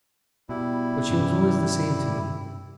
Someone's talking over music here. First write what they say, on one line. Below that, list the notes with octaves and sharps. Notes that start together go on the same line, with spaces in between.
But she was always the same to me.
B2 G3 E4
G2 C3 C#4